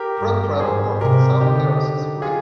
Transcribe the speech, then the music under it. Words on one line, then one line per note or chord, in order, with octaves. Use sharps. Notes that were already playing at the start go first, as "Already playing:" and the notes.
Tram travel north of South Terrace is free.
Already playing: G4 A#4
G2
G#2 G#4 C5
C3 G4 A#4
D3 D#4 G4
F4 G#4